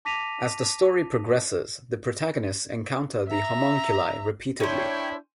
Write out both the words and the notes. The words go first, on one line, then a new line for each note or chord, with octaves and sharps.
As the story progresses, the protagonists encounter the Homunculi repeatedly.
A5 D6 A#6 B6 D#7 F7
E5 A#5
C#4 D4 E4 C5 C#5 G5